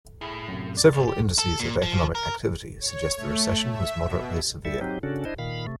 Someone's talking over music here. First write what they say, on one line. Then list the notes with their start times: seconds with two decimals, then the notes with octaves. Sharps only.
Several indices of economic activity suggest the recession was moderately severe.
0.21 A2 E4 G#4 B5
0.48 F#2 C3
0.77 D5 A6
0.93 C2
1.08 G4
1.39 A4
1.60 A#2
1.82 F3
2.15 A#4
2.80 C#5
3.17 A3
3.67 E5
4.02 B2
4.65 G3 A4 E5
4.81 F#3 C4 D#4 G4
5.03 C#3 C#4 D4 F#4 A4
5.25 D4 E4 C5 D#5
5.38 A#2 D#3 F5 B5
5.67 C3 A3